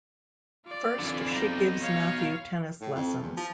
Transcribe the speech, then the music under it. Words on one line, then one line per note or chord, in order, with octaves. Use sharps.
First she gives Matthew tennis lessons.
F4 D5
F2 D3 E3
B2 D#4
C#5 F5
A2
F2
E2
F3